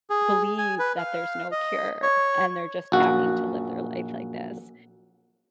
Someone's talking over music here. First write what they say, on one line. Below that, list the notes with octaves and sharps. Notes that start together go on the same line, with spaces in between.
believe that there's no cure and they're just having to live their life like this.
G#4
G#5
B4
F5
D#5
C#5
A#1 F#2 F#4